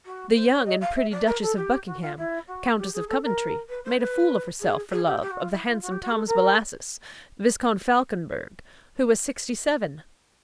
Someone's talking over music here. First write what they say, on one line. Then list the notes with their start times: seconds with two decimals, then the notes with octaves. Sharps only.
The young and pretty Duchess of Buckingham, Countess of Coventry, made a fool of herself for love of the handsome Thomas Bellasys, Viscount Falconberg, who was sixty-seven.
0.05 F#4
0.35 C5
0.50 C#5
0.65 D#5
0.81 F5
0.95 E5
1.11 D5
1.26 A#4
1.42 A4
1.56 G4
1.86 F#4
2.02 F4
2.17 E4
2.47 F#4
2.78 G4
2.93 G#4
3.08 A4
3.23 A#4
3.69 B4
3.84 C5
3.99 B4
4.60 G#4
4.90 G#4
5.05 G4
5.20 G4
5.30 F#4
5.41 F4
5.51 E4
5.67 F4
5.81 F#4
5.91 G4
6.01 F#4
6.12 A4
6.27 A#4